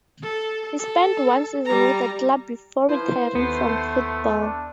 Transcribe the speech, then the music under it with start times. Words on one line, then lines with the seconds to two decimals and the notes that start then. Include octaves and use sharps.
He spent one season with the club before retiring from football.
0.22 A4
0.79 A4
1.65 G3 A#5
2.89 F3 E4 B4 C5
3.35 D#2 A3 B3
4.40 D4